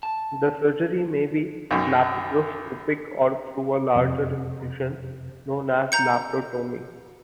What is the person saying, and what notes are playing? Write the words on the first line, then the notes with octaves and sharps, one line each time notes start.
The surgery may be laparoscopic or through a larger incision, known as a laparotomy.
A5
B1 F#2
F2 C3
A#5 G6 C#7